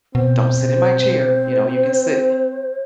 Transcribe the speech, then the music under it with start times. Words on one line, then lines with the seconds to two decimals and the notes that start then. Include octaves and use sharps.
"Don't sit in my chair." You know, "You can sit"
0.15 B2 C4 C5